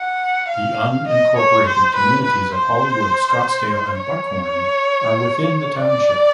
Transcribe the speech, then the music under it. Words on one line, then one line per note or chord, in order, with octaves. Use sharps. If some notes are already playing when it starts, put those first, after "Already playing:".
The unincorporated communities of Hollywood, Scottdale, and Buckhorn are within the township.
Already playing: F#5
F5
D#5
C#5
C5
B4
B4
C5
C#5
D5